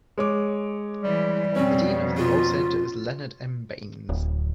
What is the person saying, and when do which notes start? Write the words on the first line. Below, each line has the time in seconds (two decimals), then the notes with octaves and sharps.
The dean of the Law Center is Leonard M. Baynes.
0.18 G#3 C#5 D6
1.04 E3 G3
1.56 F2 B2 C4 C#4
2.18 F4
4.09 D1